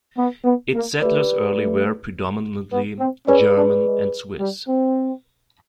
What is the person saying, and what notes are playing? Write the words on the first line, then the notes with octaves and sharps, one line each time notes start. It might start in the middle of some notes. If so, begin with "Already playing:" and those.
Its settlers early were predominantly German and Swiss.
B3
B3
A#3
A3 G4 B4 D5
A3
B3
C4
C#4 G#4 B4 D5
D4
G#3
G3
C4